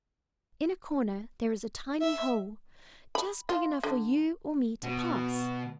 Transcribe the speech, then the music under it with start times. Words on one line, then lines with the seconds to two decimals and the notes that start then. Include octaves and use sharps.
In a corner there is a tiny hole, just big enough for you or me to pass.
2.01 E5
3.15 B5
3.49 F4
3.83 D3
4.83 B2